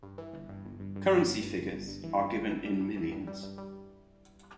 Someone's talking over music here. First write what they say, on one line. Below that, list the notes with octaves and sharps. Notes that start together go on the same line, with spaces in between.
Currency figures are given in millions.
G2
E3
G1
G2
G1
G2
G2
G1
G1
G2
G1
G1
G2
E3
G2
G1
E3
G3
G2
E3
G2
G3
G2
G3